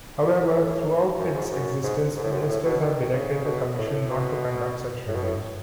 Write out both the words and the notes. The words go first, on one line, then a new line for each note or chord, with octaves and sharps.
However, throughout its existence, Ministers have directed the Commission not to conduct such reviews.
B2
A2
F#2
G#2
F#2
G#2
G#2
A2
F#2
G#2
A2
B2
D#3
D#3
C#3
C#3
B2
A2
A2
B2
A2
B2
A2